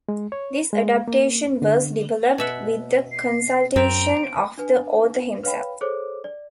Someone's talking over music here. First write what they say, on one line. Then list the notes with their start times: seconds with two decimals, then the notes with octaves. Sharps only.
This adaptation was developed with the consultation of the author himself.
0.09 G#3
0.32 C#5
0.73 G#3
1.08 A#3
1.62 D3
2.38 B2 E5 F#5
3.12 C7
3.76 F#2 C4 A#5 D7
4.58 D4 B4 G#5
5.43 B4 C#5 F5 G5 B5
5.81 G#4 A4 C5 C#5 D6
6.24 D5